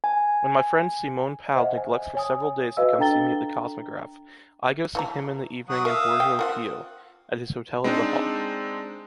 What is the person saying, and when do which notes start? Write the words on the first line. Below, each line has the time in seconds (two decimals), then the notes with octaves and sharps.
When my friend Simon Pau neglects for several days to come see me at the Kosmograph, I go see him in the evening in Borgo Pio, at his Hotel of the Hawk.
0.04 G#5
1.56 C5 D#5 E5 F#5
1.77 G#5
2.15 C#5 G#5 D#6
2.77 F#4 B4 D#5 F5 E6
2.99 D4 A4 G5 A#5 A6 G7
4.95 E3 F#4 A#5
5.69 F#3 F#5 D#6
5.85 A#4 E5 F5 D#6
6.20 G5
6.39 C4 F4 A#4 F#5
7.84 G#3 C4 D4 D#4